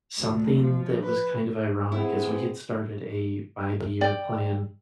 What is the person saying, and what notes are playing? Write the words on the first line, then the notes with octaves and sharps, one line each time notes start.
something that was kind of ironic is we get started a five-year plan,
D2
F3
B4
B3 C4 E4 G#4
D5 G5